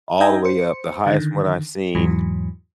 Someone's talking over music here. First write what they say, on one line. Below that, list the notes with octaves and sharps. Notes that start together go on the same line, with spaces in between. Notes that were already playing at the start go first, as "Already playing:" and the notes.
all the way up the highest one I've seen
D#4 D#5 E5 G5 G#5 A#5
C5 C#7
D3 D#3
E2 G#2 E3 F#3